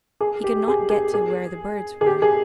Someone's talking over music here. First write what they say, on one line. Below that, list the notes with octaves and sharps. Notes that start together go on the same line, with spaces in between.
He could not get to where the birds were.
G#4
G4
G#4
G#4
G#4
G#4
G4
G#4